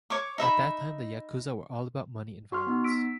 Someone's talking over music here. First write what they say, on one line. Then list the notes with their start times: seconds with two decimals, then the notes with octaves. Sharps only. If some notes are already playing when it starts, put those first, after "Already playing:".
At that time, the Yakuza were all about money and violence.
0.10 C#5 C#6 D6
0.38 D#4 E5 B5
2.52 F#4 C6 F6
2.67 B3 D#4
2.84 E6 B6 D7